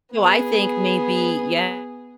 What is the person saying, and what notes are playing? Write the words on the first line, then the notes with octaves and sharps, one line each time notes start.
So I think maybe Yeah,
B3 G#4